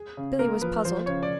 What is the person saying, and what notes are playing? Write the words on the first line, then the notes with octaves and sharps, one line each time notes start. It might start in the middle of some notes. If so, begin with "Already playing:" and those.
Billy was puzzled.
Already playing: G#4
C#3
A#3 A#4
F3 B4
F3 C5
C#3 C#5
D5